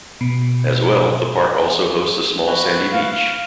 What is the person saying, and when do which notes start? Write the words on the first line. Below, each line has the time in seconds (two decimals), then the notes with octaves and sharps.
As well, the park also hosts a small sandy beach.
0.21 B2
2.46 E4 F#4 B4
2.93 F5